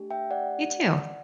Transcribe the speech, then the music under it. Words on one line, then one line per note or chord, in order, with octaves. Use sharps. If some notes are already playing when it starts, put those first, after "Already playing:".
Me too.
Already playing: A3 D4 G4
E5 G5
D5 F#5